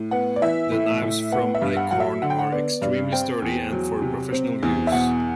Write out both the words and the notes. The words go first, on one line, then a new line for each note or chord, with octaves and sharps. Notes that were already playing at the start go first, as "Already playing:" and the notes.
The knives from Eickhorn are extremely sturdy and for professional use.
Already playing: A2
B3 F#5
D5
E3 E5
A2
A2
B3 F#5
E5
G2
F#5
F#3 F#5
E5
D3 F#5
G5
F#5
B3 D5
G2 D5
C4 G5
E2
F#3
C3
C4
E2
E5
B2 F#5